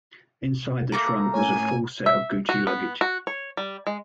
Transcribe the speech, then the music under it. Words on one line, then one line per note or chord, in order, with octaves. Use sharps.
Inside the trunk was a full set of Gucci luggage.
A3 A#3 A#5
A2 C#4 G#5
E5
F#4
B3
F#4
C#5
G3
G#3